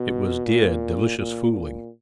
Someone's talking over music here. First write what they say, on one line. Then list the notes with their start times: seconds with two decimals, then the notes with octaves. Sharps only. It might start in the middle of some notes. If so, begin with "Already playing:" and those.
It was dear, delicious fooling.
Already playing: B2
0.46 A#2
1.17 A#2
1.53 A#2